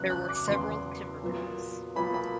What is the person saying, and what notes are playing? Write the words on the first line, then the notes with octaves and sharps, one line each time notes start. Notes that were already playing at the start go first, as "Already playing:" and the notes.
There were several timber mills.
Already playing: E2 C#3 F#3 B3 F#6
F#6
D6
E2 C#3 F#3 B3 C6
A#2 F#3 B3
A#2 F#3 B3 B5
B5